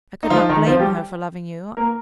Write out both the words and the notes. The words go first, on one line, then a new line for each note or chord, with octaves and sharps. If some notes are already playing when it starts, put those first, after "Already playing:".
I could not blame her for loving you.
D#4
F3 F4
D#3 D#4
F3 F4
G3 G4
A#3 A#4